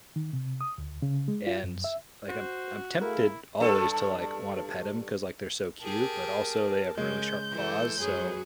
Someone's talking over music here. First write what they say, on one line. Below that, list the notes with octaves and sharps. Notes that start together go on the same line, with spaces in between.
and, like, I'm I'm tempted always to, like, wanna pet 'em 'cause, like, they're so cute, but also they have really sharp claws, so
D#3
C3
D#6
D2
C#3
G#3
F4
F#2
E5
F#4 C5
A3 E4 G#4 A#4 F5
G2 A4
G4 G#4 A#4 A5
C#3 G#3 G6
E3 A4
F#2 F#3 F#4 G#4 B4